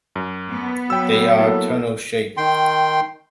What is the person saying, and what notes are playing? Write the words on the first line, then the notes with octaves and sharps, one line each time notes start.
They are tunnel-shaped.
F#2
B3
F#3 G5 E6
A#3 E4 A4
D#3 G5 C6